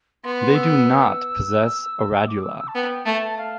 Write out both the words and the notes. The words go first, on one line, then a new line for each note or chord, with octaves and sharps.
They do not possess a radula.
B3 C6
B5
C6
E6
E6
D6
E6
E6
A5
B3 G5
A3 A5
F5